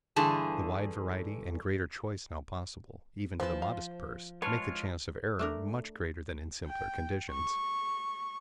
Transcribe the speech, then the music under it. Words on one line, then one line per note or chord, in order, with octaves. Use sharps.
The wide variety and greater choice now possible, even to the modest purse, make the chance of error much greater than in simpler conditions.
G2 D3 E3 G#4 A5
E3 F3 B4 C5 A5
F5
G#3 F4 B4 C#5 G#5 A5 F6
A3 D4 A#4
G5
C#6